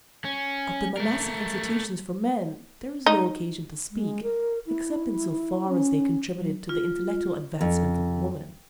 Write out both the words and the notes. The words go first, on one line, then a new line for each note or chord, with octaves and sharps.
Of the monastic institutions for men there is no occasion to speak, except in so far as they contributed to the intellectual advancement of woman.
C#4
A3 A#4
D#4
G#3
A#4
E4
C#4
F#3
F4
F2